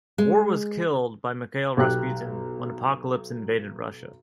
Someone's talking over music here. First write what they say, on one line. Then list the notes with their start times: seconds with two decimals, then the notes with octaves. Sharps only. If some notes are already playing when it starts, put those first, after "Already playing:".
War was killed by Mikhail Rasputin when Apocalypse invaded Russia.
0.18 G#3
1.77 B1 G4 F#6